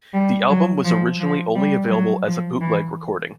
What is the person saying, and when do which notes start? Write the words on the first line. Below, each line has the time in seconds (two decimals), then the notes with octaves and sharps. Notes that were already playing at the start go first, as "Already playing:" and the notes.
The album was originally only available as a bootleg recording.
0.14 G3
0.49 F#3
0.84 F3
1.20 F3
1.56 G3
1.90 F#3
2.26 F3
2.60 E3